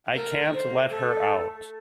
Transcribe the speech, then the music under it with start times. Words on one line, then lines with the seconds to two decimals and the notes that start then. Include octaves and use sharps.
I can't let her out.
0.15 A3 A#4
0.40 A3
0.53 C5
0.66 A#3
0.91 A3 A4